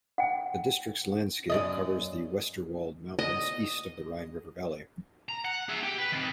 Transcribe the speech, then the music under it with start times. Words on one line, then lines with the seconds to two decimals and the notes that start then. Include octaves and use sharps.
The districts landscape covers the Westerwald mountains, east of the Rhine river valley.
0.18 F#5 G5
1.50 F#2 D5 D#5
3.19 D#5
5.29 A#5
5.45 F#5
5.69 G#4 E5
5.83 G4
5.98 B4
6.12 D#3 C4